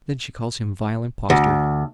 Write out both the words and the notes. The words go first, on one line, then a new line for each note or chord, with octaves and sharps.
Then she calls him vile impostor.
D2